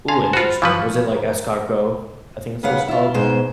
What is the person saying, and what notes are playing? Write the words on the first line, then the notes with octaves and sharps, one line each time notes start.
Ooh, interesting. Was it like escargot, I think it's what it's called?
F5 G#5 A5 C6
F4 F#4 C5 B5
E3 F3 B4 F5 B5 C#6
A#4
D#2 C#3 B4 F5 F#5
E4 F4
G#2 B2 G#3 C5